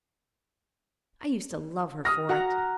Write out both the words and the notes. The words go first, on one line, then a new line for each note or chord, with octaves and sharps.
I used to love her for it.
D#6 F6 A#6
F#4 F#5 A#5